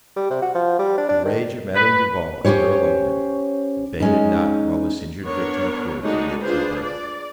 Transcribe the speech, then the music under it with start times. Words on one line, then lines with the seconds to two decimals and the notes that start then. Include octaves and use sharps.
The rage of Madame Duval at her elopement, abated not while this injured victim of cruelty yet drew breath.
0.16 G3
0.30 C3
0.42 F#4
0.55 F3
0.79 G3
0.98 D4
1.09 D4
1.25 D#3
1.74 B4
2.45 C#4 F4 G4 C5 C#5
4.00 G#3 C#4 D#4
5.24 B3 D4 A#4 C#5
6.02 G#3 A3 D4 D#4 F#4
6.42 D4 F4 G#4 B4 C5
6.83 D5